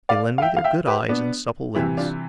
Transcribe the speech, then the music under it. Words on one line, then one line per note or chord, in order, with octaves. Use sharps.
They lend me their good eyes and supple limbs.
D5 F5
F5
E5 G5
F5
E5 G5
G4 B4
B3 D4
C3 E3 G3 C4 E4
D4 F4